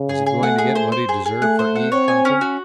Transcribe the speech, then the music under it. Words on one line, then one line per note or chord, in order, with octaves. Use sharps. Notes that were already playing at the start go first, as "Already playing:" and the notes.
Was he going to get what he deserved for eavesdropping?
Already playing: C#3
G#4
G#4
A3 F#5
G#4
C5
C5
G#4
G#4
A3 F#5
C5
F#5
C4 C#5
G#5
C#4
F#4